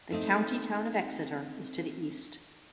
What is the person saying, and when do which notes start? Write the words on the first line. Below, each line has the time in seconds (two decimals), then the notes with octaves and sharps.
The county town of Exeter is to the east.
0.11 D#3 A3 C4 D#4